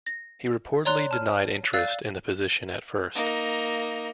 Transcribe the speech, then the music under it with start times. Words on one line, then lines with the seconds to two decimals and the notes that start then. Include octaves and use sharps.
He reportedly denied interest in the position at first.
0.06 A#6
0.85 C#5 D5 A#5 C6 F#6
1.11 A5 F6
1.73 D5 F5 E6 F#6 A6 C7
3.15 A#3 D#4